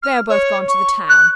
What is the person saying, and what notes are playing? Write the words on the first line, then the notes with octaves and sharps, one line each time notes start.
They're both gone to the town.
F6
C#5
C#6
F#6